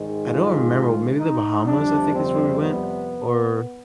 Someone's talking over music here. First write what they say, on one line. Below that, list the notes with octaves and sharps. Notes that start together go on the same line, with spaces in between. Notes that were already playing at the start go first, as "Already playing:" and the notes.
I don't remember, maybe the Bahamas, I think, is where we went, or
Already playing: G#2 D#3 G#3
F4
D#4
F2 C3 G3 D4
C4
B3